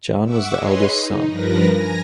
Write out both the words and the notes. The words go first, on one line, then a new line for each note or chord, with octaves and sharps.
John was the eldest son.
E5 F#5 C#6 D6 E6
G#4 B4 C#5 D#5 C6
D#4
G2 F3 A#4 B4 A#6
G#5 A#5 A#6